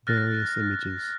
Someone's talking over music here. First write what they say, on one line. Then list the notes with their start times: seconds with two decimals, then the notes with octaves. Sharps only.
Various images.
0.07 F6 F#6 A6 A#6